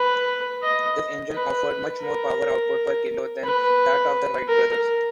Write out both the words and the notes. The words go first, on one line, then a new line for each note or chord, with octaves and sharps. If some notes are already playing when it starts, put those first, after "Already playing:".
This engine offered much more power output per kilo than that of the Wright brothers.
Already playing: B4
D#5
B4
A#4
B4
A#4